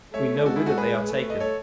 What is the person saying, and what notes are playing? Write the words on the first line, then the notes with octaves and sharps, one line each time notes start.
We know whither they are taken!
A3 C#5 E5
G#3 F#4 A4
E4 G#4
F#4 A4
G#4 B4
A3
D#5
A4 C#5